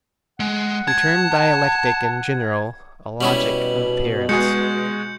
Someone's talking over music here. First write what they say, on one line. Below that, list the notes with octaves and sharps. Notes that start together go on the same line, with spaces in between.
We termed dialectic in general a logic of appearance.
G#3 F#5
A5 G#6
B2 G3 C#4 E4 F#7
G#3 F#4 G#4 G6 C#7